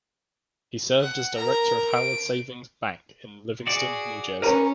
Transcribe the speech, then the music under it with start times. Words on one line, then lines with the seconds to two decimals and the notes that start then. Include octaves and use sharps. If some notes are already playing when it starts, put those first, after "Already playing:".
He served as director of Howard Savings Bank in Livingston, New Jersey.
1.00 F#5
1.35 A#4 A#5
1.90 D7
3.67 F#4 G#4 D5
4.42 C#4 A#4 B4 A#5